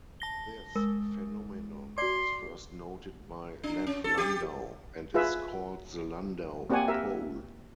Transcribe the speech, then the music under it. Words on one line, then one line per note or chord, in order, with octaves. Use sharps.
This phenomenon was first noted by Lev Landau, and is called the Landau pole.
A5 A#6 G7
G#3 A#4
F#4 D5 C6 D6
D4
C#4
A4
G4
F4 G#4 B4 E5
A#3 C4 G4 D5 F#5 G#5
G4 A#4 E5